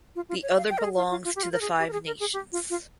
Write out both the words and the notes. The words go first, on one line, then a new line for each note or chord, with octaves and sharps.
The other belongs to the Five Nations.
F4
F4
C#5
F5
G5
A#4
G#4
F4
F4
F4
G4
F4
A#4
G#4
G4
A#4
G#4
A#4
G#4
G4
F4
F4